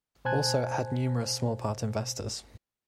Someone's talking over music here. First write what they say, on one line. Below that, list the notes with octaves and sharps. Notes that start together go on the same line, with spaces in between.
Also it had numerous small-part investors.
B2 C5 G#5 A5 F#6 G#6